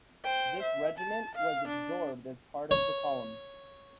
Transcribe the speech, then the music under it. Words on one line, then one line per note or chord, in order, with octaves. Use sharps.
This regiment was absorbed as part of the column.
C5 G5
E5
A5
F5
D4
C#5